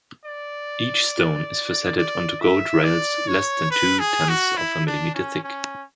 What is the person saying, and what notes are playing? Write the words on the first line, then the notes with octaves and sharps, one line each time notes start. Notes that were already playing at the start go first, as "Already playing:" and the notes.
Each stone is faceted onto gold rails less than two-tenths of a millimeter thick.
D5
D5
E5
D5
C#5
B4
G#4
F#4
E4
D4
C#4
C#4